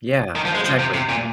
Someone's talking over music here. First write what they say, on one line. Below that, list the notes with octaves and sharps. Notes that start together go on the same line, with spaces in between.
Yeah, exactly.
D#3
F3
G#3
F3
C3
C3
A#2